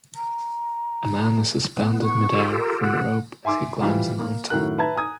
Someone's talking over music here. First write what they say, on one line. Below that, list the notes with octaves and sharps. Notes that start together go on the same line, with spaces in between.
A man is suspended midair from a rope as he climbs a mountain.
A#5
A2 B3
C#6
F4 G4 A4
A#4
F#5
E5 G#5 C6 D6 E6
E3 F3 G3 F4
A#3
F#2 A2 D#3 F#4 A#4 F#6
B4 E5 A5 A#5 G#6
G#5 A#5 D#6 G#6